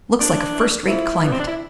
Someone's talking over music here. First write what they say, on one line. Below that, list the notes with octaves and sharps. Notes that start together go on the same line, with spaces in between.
Looks like a first-rate climate.
F2 D4
E3 G3
F2 E4
E3 G3 B3
C4
D4
E4